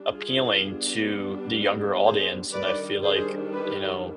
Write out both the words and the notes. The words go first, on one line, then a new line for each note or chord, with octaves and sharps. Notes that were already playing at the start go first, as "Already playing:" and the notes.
appealing to the younger audience, and I feel like, you know,
Already playing: G3 D4
F4 G#4
G3 B3 D4
G#4 C5
D#3 G3 D4 B4 D5
G#4 C5
G4 B4